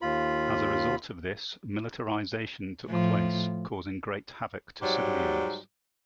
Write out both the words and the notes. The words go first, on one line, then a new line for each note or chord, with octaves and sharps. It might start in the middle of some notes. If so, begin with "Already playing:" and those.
As a result of this, militarisation took place, causing great havoc to civilians.
D#2 F4 B5
A2 F3
G#2 F#3 G3 G4